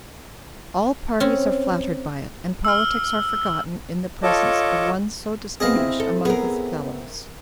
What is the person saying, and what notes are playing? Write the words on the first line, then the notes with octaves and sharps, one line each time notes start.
All parties are flattered by it and politics are forgotten in the presence of one so distinguished among his fellows.
C4 C#4
E6 F6
F4 A4 C#5 D#5 A5 D6
A#2 B3 C4 G#4 D#5 F5
C4 E4
A4
B3 G#4 A#4